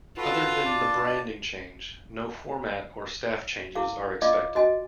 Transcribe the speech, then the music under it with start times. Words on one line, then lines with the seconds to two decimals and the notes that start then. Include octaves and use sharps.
Other than the branding change, no format or staff changes are expected.
0.17 F4 F#4 A4 B4
0.65 D4 D5 A5
3.75 E4 G#4 F5
4.22 F4 D5 D#5 F5 D6
4.55 F#4 D#5 G#5